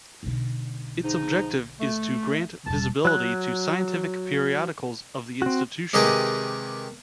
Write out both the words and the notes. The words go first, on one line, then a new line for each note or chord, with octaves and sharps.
Its objective is to grant visibility to scientific periodicals of the institution.
B1 D3
G#2 F3 D#4
A3
E1 G3 A5
F#3 F#6
C4 F#4
C3 D#3 G#3 G4 G#4 B4